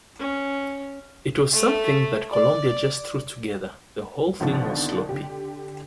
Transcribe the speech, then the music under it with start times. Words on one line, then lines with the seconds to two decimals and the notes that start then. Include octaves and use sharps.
It was something that Columbia just threw together...The whole thing was sloppy.
0.19 C#4
1.54 A3
2.32 D5
4.40 G#1 G#2 B2 D3 F3
5.09 D3 G4